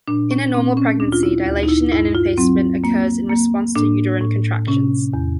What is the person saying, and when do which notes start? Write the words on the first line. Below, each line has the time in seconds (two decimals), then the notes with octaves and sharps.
In a normal pregnancy, dilation and effacement occurs in response to uterine contractions.
0.08 A#2 D4
0.31 C#4
0.54 A#2 C4
0.77 C#4
1.00 D2 D4
1.12 F4
1.23 E4
1.46 D2
1.63 D#4
1.68 E4
1.92 G2 E4
2.15 F4
2.38 F#3 C4
2.84 A#3
3.29 A#3
3.76 A2 D4
4.21 A2
4.67 C3 C#4
5.13 E2